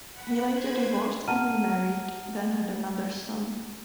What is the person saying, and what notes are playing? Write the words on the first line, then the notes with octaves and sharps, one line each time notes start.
He later divorced and remarried, then had another son.
F#5 B5
B4 C5 B5 G#6
F#5 A5 A#5 F6 D#7